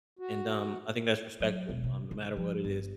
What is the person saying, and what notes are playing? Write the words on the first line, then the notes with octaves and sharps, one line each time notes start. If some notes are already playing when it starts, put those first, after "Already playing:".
and, um, I think that's respectable, um, no matter what it is.
F#4
F#3
E1
C3
C#3
F3
G1